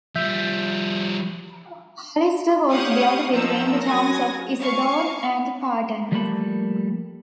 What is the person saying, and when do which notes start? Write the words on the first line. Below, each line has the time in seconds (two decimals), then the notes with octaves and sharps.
Hollister was built between the towns of Isadore and Parton.
0.16 F3 G3 E5 G6
2.70 G4 C#5 F5 F#5 D#6
3.31 A#2 D#3 F3 D#4 A#5 E6
3.82 F#3 G#5 A#6
4.60 F5 G#5 C#6
6.12 F3 G3 A3 A#3 A4 B5